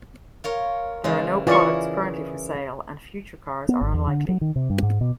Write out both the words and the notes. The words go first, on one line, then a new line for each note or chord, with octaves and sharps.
There are no products currently for sale, and future cars are unlikely.
F4 A#4 C#5
C#3 E3 G#3
E3 C#4 E4 F4 G#4 A#4 D5 C#6
B3
G#1
E2
D3
F#3
D#3
C3
G2
G#2
B2